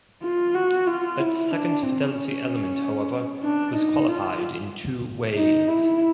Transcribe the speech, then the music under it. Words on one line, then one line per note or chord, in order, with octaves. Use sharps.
That second fidelity element, however, was qualified in two ways.
F4
F#4
F4
E4
D4
C4
C#4
D4
D#4
F4
D#4
E4